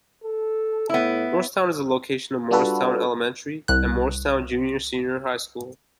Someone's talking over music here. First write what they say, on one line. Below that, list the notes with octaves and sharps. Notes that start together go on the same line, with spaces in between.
Morristown is the location of Morristown Elementary and Morristown Junior-Senior High School.
A4
A2 B3 E4
G3 D4 F4 F#4 A4 B4
C2 F#6